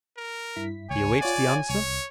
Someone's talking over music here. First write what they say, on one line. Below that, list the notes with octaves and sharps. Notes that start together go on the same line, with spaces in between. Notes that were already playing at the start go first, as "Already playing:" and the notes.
"He awaits the answer?"
A#4
G2 E4 B6
C#2 C#5 G#5
F4 C#5 D5 F#5
C2 C#5